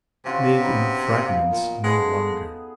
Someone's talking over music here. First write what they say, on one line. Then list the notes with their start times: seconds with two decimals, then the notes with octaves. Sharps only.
Live in fragments no longer.
0.25 C3 C#4 F4 F#4
0.60 B3 D#4
1.18 F5
1.52 A#2
1.84 G#3 B3 G#4 A4